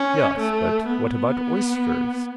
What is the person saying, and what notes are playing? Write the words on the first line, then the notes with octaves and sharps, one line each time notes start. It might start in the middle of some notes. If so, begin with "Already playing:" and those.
Yes but what about oysters.
Already playing: C#4
A3
B3